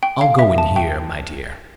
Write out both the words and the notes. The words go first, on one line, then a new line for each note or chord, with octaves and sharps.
"I'll go in here, my dear."
G5
F5
E5
A5
G5